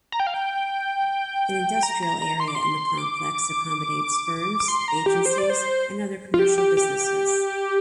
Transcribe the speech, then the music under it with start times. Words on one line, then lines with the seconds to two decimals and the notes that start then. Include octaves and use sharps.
An industrial area in the complex accommodates firms, agencies and other commercial businesses.
0.12 A#5
0.20 G5
0.27 F5
0.34 G5
1.83 A#5
2.03 A#5
2.22 A#5
2.40 C6
2.48 D6
2.55 C6
2.98 D6
4.60 D6
4.68 C6
4.88 A#5
5.06 G4
5.26 C5
5.38 D5
5.50 C5
6.34 F4
6.39 G4
6.58 G4
6.77 G4